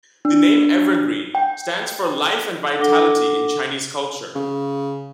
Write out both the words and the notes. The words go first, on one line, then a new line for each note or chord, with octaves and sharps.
The name "Evergreen" stands for life and vitality in Chinese culture.
D4
G5
D4 A4 F#5 D6 A#6 G7
C#3